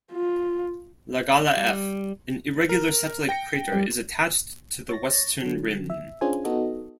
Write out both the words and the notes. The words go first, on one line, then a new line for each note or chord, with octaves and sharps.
Lagalla F, an irregular satellite crater, is attached to the western rim.
F4
G3
A#4
G5 A#6 C#7
G3
C#5 A6 A#6
D3 F#3
E5
C#4 D4 F4 G#4 C5 G#5
B3 D#4 F#4 A4 D#5